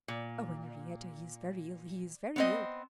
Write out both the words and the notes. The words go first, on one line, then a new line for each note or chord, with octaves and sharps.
Oh, Henrietta! he is very ill--he is very ill!
A#2
B3 C4 D#5